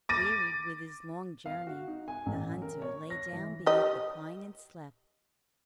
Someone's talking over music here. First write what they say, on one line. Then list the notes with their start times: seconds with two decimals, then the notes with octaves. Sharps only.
Wearied with his long journey, the hunter lay down beneath the pine and slept.
0.09 D6 A6 A#6 D#7
1.46 F5
1.67 F#4
1.88 D#4
2.08 G#5
2.26 A1
2.62 A#4
2.82 C#5
3.10 A#6
3.33 E3
3.66 G4 D#5